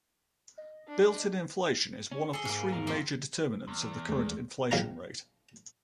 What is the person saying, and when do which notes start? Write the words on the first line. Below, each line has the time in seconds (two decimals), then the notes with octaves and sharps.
Built-in inflation is one of three major determinants of the current inflation rate.
0.58 D#5
0.88 D4
2.12 C#4
2.33 G#4 A4 D#5
2.45 G#2 A#3
2.72 E2 A#4
2.87 F3 A#3 C4
3.68 E2
4.09 D#2 G#3 A3
4.71 A#1 D#3 F5 A#5